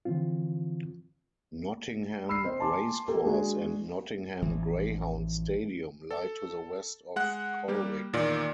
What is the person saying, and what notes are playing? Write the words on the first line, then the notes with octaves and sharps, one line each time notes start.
Nottingham Racecourse and Nottingham Greyhound Stadium lie to the west of Colwick.
D3 E3 F3 C4 F4
B5 E6 F6 C7
C4 C5 D#5
G#5 A5 C6 D6
A#3 G4 A4
G#3 D4 F#4 G#4
A1 E3 F3
A4
G#3 F#5 F#6
G3 A#3 G4
E2 A#2 D#3 A#4 D5